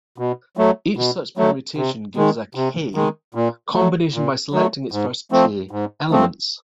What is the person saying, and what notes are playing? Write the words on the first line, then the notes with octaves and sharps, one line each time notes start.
Each such permutation gives a "k"-combination by selecting its first "k" elements.
B2
F#3 A3
B2
F#3 A3
C3
D#3 G#3
C3
D#3 G#3
A#2
F#3 A3
A#2
F#3 A3
G#2
F3 A3 C4
G#2
F3 A3 C4